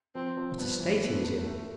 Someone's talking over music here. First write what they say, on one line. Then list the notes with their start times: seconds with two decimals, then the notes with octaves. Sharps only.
What a state he was in!
0.15 F3 C4
0.37 F3
0.58 G2 B3
0.80 E3
1.02 A3 B3
1.24 A3
1.46 A3